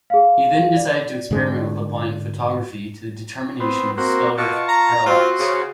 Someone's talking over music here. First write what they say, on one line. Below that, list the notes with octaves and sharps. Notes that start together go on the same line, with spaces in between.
He then decided to experiment with applying photography to the determination of stellar parallax.
G#4 F5
D5
G#2 D3 G#3
B3 C4
A#3 C4 F#4
B2 F4 A5 C#6
A#5
C4 F4 F#4 C5
C#3